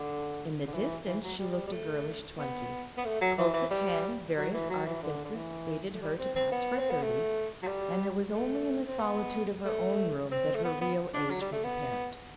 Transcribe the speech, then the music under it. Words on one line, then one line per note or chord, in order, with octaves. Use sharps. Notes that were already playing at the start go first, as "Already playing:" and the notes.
In the distance she looked a girlish twenty; close at hand various artifices aided her to pass for thirty; and it was only in the solitude of her own room that her real age was apparent.
Already playing: D3
D3
E3
E3
F#3
G3
G3
A3
B3
B3
A3
F#3
E3
E3
G3
F#3
E3
F#3
E3
D3
D3
E3
A3
G3
C4
C4
B3
C4
B3
A3
F#3
G3
A3
C4
B3
A3
C4
A3
B3
B3
D4
F#3
G3
A3
B3